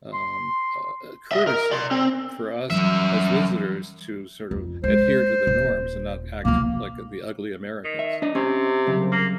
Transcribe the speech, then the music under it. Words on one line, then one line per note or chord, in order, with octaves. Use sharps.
um, uh, a courtesy for us as visitors to sort of adhere to the norms and not act like, the ugly Americans.
C6
D#5 E5
A#4
D5 C6
C4
F#2 E3 F#3 G3 E5
F2
G#3 C5
D#1
B2 F3 A#3
D#3
E5
D4 D#5
C3 C#4
C2 F#2 C#3
A#3